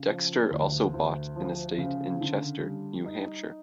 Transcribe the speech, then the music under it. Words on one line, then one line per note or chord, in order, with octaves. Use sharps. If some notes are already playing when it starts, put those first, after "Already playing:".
Dexter also bought an estate in Chester, New Hampshire.
Already playing: C#3
F3
D2
D2
F3
C#3
D3
G3
D#4